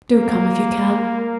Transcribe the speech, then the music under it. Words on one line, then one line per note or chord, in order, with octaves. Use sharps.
Do come if you can.
A#3